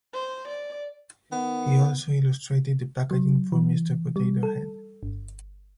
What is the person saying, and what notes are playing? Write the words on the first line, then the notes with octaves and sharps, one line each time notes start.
He also illustrated the packaging for Mister Potato Head.
C5
D5
D#3 B3
F#3
E3
G3
A4
G1